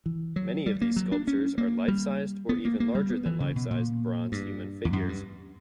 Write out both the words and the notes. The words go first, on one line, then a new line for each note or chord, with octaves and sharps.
Many of these sculptures are life-sized or even larger than life-sized bronze human figures.
E3
F#3
G3
A#3
F#3
D4
C#4
A#3
G3
B3
A#3
A#3
G3
B3
E3
C#3
B2
A#2
G2
E2
F#2
G2